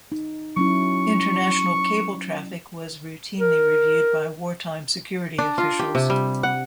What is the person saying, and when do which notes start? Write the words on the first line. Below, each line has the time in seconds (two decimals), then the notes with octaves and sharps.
International cable traffic was routinely reviewed by war-time security officials.
0.12 D#4
0.57 F#3 C#4 E4 C#6
3.40 A#4
5.38 D4
5.58 F4
5.79 G4
5.95 C3
6.10 G3
6.43 F#5